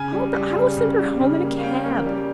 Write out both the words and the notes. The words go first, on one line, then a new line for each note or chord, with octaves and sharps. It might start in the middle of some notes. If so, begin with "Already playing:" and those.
'Oh, but I will send her home in a cab.
Already playing: C#3 G#5
G3
G3
C#3
C#3
G3
C#3
A#3
F5
C#4 G5
A#3
G3